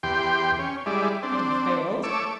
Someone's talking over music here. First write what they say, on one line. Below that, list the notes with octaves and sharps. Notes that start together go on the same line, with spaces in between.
Had he failed?
E2 G4 G5 C6
C#4
G3 G#3 E4 D5
C4 D4
A3 C#5 D6 E6